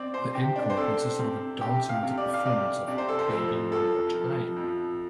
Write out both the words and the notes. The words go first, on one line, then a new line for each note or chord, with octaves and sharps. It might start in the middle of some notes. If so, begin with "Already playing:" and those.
The encore consisted of a dance-oriented performance of "...Baby One More Time".
Already playing: C4 D5
C5
C3 G4
D4
C5
C4 A4
C4
C3 G4
F5
C3
D5
F5
C3 D5
C3 D5
C5
A4
C5
F2 A4
F3 A4
F3
F2